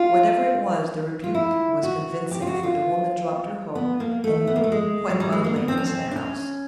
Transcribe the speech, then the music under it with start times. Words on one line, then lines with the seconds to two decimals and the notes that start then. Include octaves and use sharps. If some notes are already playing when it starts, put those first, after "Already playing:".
Whatever it was, the rebuke was convincing, for the woman dropped her hoe and went mumbling into the house.
Already playing: F4
1.24 F4
1.34 E4
1.83 F#4
2.31 G4
2.42 F4
2.47 F#4
2.63 F4
3.75 B3
4.00 A#3
4.24 A3
4.47 B3
4.56 A#3
4.64 A3
4.72 G#3
5.10 F#3
5.20 G3
5.32 G#3
5.44 A#3
5.56 B3
5.68 C4
5.77 C#4
5.86 C4
6.11 D4
6.16 C#4